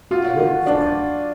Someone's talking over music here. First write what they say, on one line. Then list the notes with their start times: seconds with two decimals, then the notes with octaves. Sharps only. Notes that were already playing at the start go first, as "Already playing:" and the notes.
I wrote it for him.
0.11 F4 F#4
0.39 F#4
0.66 D4 D5